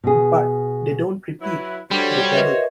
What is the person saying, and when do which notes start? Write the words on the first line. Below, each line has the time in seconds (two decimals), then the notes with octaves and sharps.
But they don't repeat - they develop.
0.04 B2 G#4
1.42 F#3 E4 B4
1.91 G3 D4 F#4 A4 C5 C#5
2.34 A#4 B4 D#5 E5